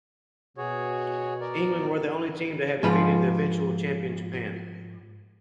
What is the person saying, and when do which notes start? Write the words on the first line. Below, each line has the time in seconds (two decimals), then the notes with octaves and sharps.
England were the only team to have defeated the eventual champion Japan.
0.58 B2 F#4 G#4 C#5
1.40 A#4 D5
2.83 G#2 F3 B3 F4 B5